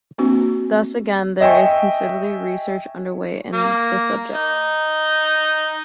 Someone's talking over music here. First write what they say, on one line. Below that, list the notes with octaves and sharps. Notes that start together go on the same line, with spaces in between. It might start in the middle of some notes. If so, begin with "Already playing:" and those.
Thus, again there is considerable research underway in the subject.
A#3 C4 D4 F#4
D#5 E5 G5 G#5 C#6
A#3
D#4